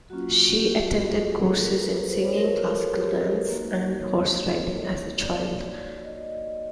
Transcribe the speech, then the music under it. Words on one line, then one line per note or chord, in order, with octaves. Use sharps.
She attended courses in singing, classical dance, and horse-riding as a child.
F#3 A#3 C#4 F4 F#4
F#4
G4
F#4
G4
A4
G#4
A4
A#4
B4
C5
C#5
C5
A#4
A4
G4
B4
A#3 D#4 F#4
C#5
D5
D#5